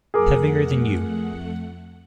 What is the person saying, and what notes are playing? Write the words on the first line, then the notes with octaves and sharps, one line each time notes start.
Heavier than you.
F2 A3 G#4 A#4 F#5 D6